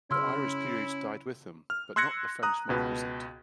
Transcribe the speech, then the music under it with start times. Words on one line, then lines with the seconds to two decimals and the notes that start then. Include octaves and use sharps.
The Irish peerage died with him, but not the French marquisate.
0.11 C#3 C#4 E4 C6 E6 F6
1.70 F6
1.96 C6 E6 F#6 G#6 A#6 C#7
2.43 A#5 D#6 F#6
2.69 C#2 B2 B4